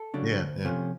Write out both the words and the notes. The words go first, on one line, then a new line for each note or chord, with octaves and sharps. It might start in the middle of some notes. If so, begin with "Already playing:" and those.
Yeah, yeah.
Already playing: A4
C#3 F#3 A3 D4
D2
C3 F3 A3 C#4